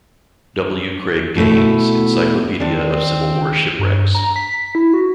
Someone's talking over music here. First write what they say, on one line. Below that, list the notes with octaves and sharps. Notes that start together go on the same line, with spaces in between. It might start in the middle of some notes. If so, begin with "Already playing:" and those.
W. Craig Gaines, "Encyclopedia of Civil War shipwrecks".
B2 A3 E4
D#2 C4 D4 D5
G2
A#5
B6
E4
F#4